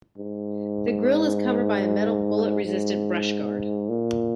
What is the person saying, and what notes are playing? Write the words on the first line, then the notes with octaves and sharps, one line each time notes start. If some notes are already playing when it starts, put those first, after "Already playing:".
The grille is covered by a metal bullet-resistant brushguard.
G#2
G#2
A#2